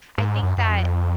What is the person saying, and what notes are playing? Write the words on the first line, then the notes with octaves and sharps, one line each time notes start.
I think that
G#2
F#2
F#2
F2